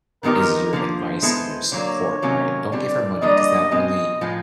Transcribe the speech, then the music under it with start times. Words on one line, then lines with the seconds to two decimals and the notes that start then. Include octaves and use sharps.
is your advice and your support, right? Don't give her money 'cause that only,
0.23 D#3 G#3 B3 D#4 G4 A#4
0.73 D3 F3 A#3 C5
1.22 G#3 B3 E4 A4
1.72 D3 F#3 A#3 C#5
2.22 C3 D#3 F#3 A#3 C#4
2.71 D3 G3 C4 D5
3.22 D3 G3 A#3 D4 D#5
3.71 B2 G#3 C4 D#5
4.21 A2 F3 G#3